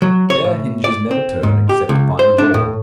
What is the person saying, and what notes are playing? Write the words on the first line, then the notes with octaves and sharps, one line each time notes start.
Their hinges never turn except by law.
F#3
C#5
A2
D5
C4
G#2
G4
C#2
C5
D4
A2